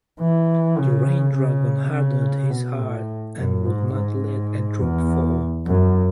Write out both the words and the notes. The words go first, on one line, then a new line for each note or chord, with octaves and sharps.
The rain-dragon hardened his hart and would not let a drop fall.
E3
C#3
C#3
C#3
B2
A2
F#2
G#2
G#2
E2
F#2